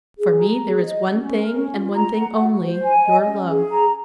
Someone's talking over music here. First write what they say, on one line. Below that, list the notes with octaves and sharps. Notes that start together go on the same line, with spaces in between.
For me there is one thing, and one thing only--your love.
G#4
A#5
G#4
D#5
C#4
A#4
C#4
F4
A#5
F#5
F#4
C5
G#5
D#5
C#4
G#4
A#5